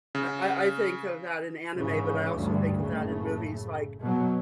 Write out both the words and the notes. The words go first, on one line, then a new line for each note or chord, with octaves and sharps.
I I I think of that in anime, but I also think of that in movies like,
C#3
G#2 C#3 E3
D2 G2
F#1 A2 C#3 A3
B2 F#3